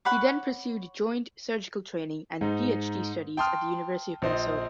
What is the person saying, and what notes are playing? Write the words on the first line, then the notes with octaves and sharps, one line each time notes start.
He then pursued joint surgical training and Ph.D. studies at the University of Minnesota.
C#5 F#5 B5 D6
G#2 D#4
G5 A5 C6 D#6 F6
A#1 C5 D#5